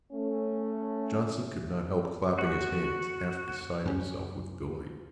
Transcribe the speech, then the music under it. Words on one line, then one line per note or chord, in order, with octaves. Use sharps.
Johnson could not help clapping his hands, half beside himself with delight.
A3 C#4
F#4
F#2 C#4